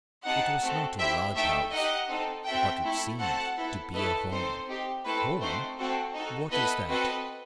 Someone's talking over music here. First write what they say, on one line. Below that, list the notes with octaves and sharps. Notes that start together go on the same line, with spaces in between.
It was not a large house, but it seemed to be a home. Home!--what is that?
C4 D#4 G4 F#5 A5
A3 C4 F#4 A4
C4 E4 G4 E5 G5
A3 D#4 A4 E5 G5
D#4 G4 D#5 F#5
C4 D#4 A4
C4 F#4 A4 E5 G5
A3 E4 A4
A3 C4 F#4 A4 F#5 A5
B3 E4 A4
A3 E4 A4 B4 D#5
C4 D#4 A4 C5
C4 D#4 G4
A3 C4 E4 A4 B4
A3 C4 D#4 F#4 C5
A3 C4 F#4 A4
D#4 F#4 A4
B3 E4 A4 B4 D#5
C4 F#4 A4 B4 D#5